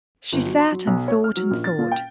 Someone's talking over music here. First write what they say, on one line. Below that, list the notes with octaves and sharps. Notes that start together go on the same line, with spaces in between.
She sat, and thought, and thought.
G1
F#3
C6
F#3
B1
C#5
F6
F#3
A#1
A6
A#2
G5